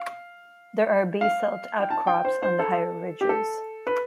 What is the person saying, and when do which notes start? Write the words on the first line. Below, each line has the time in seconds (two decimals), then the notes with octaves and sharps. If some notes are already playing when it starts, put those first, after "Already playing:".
There are basalt outcrops on the higher ridges.
Already playing: F5
1.21 F5
1.80 G5
1.90 A5
2.07 G5
2.25 C5
2.43 C5
2.59 A4
3.21 G4
3.29 A4
3.87 B4